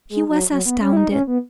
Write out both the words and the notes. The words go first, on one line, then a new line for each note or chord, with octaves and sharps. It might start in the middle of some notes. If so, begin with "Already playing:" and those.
He was astounded.
G#3
F#3
F#3
B3
C#4
E4
D#4
C#4
B3